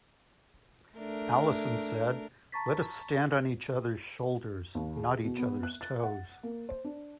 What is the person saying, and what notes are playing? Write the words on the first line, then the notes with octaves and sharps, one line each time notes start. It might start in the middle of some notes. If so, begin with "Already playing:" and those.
Allison said, Let us stand on each others' shoulders; not each others' toes.
A3 D4 A#4
A5 A#5 C#6 A6 B6
D#2
G#4
B2
B3
F#6
A6
F#5
A#3
C5
D4